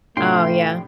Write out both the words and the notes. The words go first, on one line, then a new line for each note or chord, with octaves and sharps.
Oh yeah.
A2 C3 A3 D4 F4 G5 C6